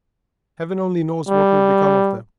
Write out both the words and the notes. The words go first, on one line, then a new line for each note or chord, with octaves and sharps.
Heaven only knows what will become of them...
G3